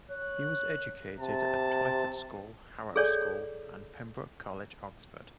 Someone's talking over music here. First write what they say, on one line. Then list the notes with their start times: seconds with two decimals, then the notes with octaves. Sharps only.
He was educated at Twyford School, Harrow School and Pembroke College, Oxford.
0.11 C#5 F#6
1.20 C3 A5
2.96 G#4 A4 C#5 D5 G#5